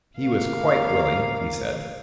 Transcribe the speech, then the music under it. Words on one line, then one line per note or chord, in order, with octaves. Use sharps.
He was quite willing, he said.
D2 A#3 F5